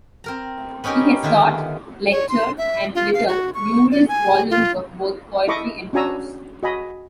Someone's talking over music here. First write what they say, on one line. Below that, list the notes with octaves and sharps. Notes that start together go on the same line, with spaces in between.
He has taught, lectured and written numerous volumes of both poetry and prose.
C4 A#4 A#5
B3 C#4 D#4 G4 A#4
D3 D#3 F4 E5
C#5
C6
E5
F4
F5
F#4
C#6
D5
G#5
F4
E4 A4 D#5 B5 C#6 D6
C#4 D4 F#4 G#5 A#5 E6
F#4 D#5 G#5 B5